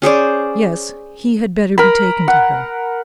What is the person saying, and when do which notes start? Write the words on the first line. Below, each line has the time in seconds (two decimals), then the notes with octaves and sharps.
Yes; he had better be taken to her.
0.02 C#4 G#4 C5 D5
1.78 A#4 B5
2.28 F#5